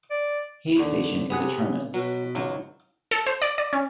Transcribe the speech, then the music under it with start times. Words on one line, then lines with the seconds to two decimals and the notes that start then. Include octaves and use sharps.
Hayes station is a terminus.
0.11 D5
0.77 D#2 D3
1.30 C3 B3 G#4 F#5
1.94 B2 F#3
2.35 G#1 C#2 F#3
3.11 A4
3.26 C5
3.42 D5
3.58 D5
3.73 C#4